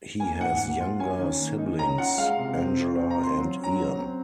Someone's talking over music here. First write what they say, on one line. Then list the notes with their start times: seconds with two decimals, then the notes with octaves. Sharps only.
He has younger siblings Angela and Ian.
0.20 A#3 G#5
0.40 G#2 F#5
0.60 A#3
0.80 F4
1.00 C#4 G#5
1.19 D#3
1.39 A#3
1.58 D#4
1.79 C#4 A#5
1.98 F4 F#5
2.18 G#3 F5
2.38 C3
2.58 C4
2.77 F4
2.98 C4
3.10 A#5
3.17 F4
3.23 C6
3.37 F#3
3.56 C#4
3.64 A#5
3.76 F#3
3.96 C4